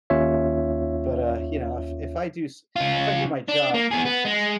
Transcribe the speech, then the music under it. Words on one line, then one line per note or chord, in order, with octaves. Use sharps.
But, uh, you know, if if I do s if I do my job, for instance,
D#2 C#4 F4 C#5 E5
C#3 F4
D4
A#3
B3 G#4
B3
G#3